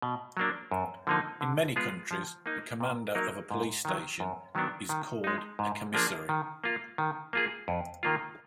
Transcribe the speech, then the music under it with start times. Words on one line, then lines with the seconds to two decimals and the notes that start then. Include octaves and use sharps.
In many countries, the commander of a police station is called a commissary.
0.02 B2
0.37 F#3 A#3 D4
0.71 F#2
1.07 D3 F3 A#3 D#4
1.41 D3
1.76 G#3 B3 F4 G#4
2.11 F3
2.46 A#3 D#4
2.80 A#2
3.15 F#3 A#3 D#4 A#4
3.51 G#2
3.85 D#3 F#3
4.20 F#2
4.55 D#3 F#3 B3 D4
4.89 D#3
5.24 G#3 D#4
5.59 G#2
5.94 F3 A#3 D4 G#4
6.29 D#3
6.64 A#3 F4
6.98 D#3
7.33 A#3 F4 G#4
7.68 F2
8.03 D#3 A#3 F4